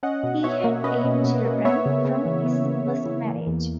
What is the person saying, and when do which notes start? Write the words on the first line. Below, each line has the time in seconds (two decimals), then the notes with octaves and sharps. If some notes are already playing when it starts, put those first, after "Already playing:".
He had eight children from his first marriage.
0.03 C#4 D#5 F#5
0.23 B2
0.43 B2 C#5 E5
0.64 A#3
0.84 C#4 B4 D#5
1.04 B2
1.24 B2
1.45 A#3
1.65 B3 C#5 E5
1.86 C#3
2.05 C#3
2.25 E3
2.46 B3
2.65 C#3
2.86 C#3
3.06 E3
3.26 A#3
3.47 E2